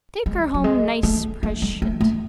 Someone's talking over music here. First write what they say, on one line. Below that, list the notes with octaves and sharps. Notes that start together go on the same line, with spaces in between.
Take her home nice preshent.
G#3
F#3
G#3
A3
A3
G#3
A3
A3